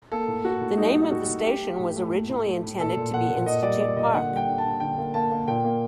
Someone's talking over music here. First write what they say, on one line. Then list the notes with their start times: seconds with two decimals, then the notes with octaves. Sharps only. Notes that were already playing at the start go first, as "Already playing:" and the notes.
The name of the station was originally intended to be Institute Park.
0.12 A#3 A4
0.28 A2
0.45 A2 F#4
0.61 A2
0.78 G3 D#4
0.95 A2
1.12 A2 F#4
1.29 A2
1.45 A3 G4
1.62 A3
1.80 A2
1.96 A3
2.12 A3
2.29 A2
2.47 A3
2.63 A2
2.79 A#2 A4
2.97 A#2
3.13 A#2 F#5
3.30 A#2
3.46 A#2 D#5
3.63 G3 D5
3.80 G3 D5
3.97 A#2 D#5
4.14 D3 F#5
4.30 G3
4.36 G5
4.48 D3
4.58 A5
4.64 D3
4.80 D3 G5
4.98 A#3
5.14 A#3 A5
5.32 A#3
5.48 A#2 G5
5.64 A#3